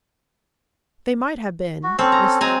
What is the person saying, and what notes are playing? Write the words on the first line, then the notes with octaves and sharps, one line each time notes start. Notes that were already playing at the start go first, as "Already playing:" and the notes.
They might have been--Mrs.
F#4
C4 C#4 A4
A#5
F#3 G#3 C4 G#5 A#5